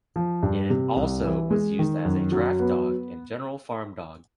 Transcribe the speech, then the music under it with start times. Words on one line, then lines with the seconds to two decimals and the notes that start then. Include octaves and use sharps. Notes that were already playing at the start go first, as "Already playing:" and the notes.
It was also used as a draft dog, and general farm dog.
0.16 F3
0.43 G2
0.70 C3
0.96 C2
1.24 E3
1.51 G#3
1.79 D#3
2.05 F#2
2.32 F#3
2.60 B3